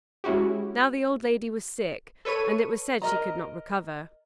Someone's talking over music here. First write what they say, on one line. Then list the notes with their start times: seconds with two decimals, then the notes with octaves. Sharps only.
Now the old lady was sick, and it was said she could not recover.
0.24 G#3 C#4 E4 F#4 G4
2.25 A4 B4 C#5 C#6 D#7
3.02 A#4 D#5 A#5